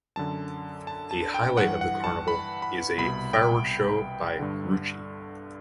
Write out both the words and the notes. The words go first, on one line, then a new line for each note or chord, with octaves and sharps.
A highlight of the carnival is a fireworks show by Grucci.
F#2 D3 A5
A5
A5
G5
G2 E3 F#5
F#5
A5
B5
B5
C2 B2 B5
G5
G2 D3